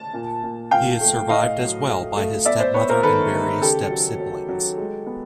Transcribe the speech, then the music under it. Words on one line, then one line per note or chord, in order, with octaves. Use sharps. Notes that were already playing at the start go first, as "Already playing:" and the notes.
He is survived as well by his stepmother and various stepsiblings.
Already playing: A5
A#2
A#2
A#2 F5 G5
A3
A2 D#5 F5
F#3
A3
A3
B3 D5 E5
C5 D5
B3 B4 C#5
A#4 C5
D#3 A4 B4
D#3
C#3 G4 A4
F#3
F#3
F#3
G#3
B3